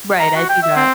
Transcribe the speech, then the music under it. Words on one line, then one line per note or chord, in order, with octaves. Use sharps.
Right, I do that.
A#5
F#4
G5
E5
C4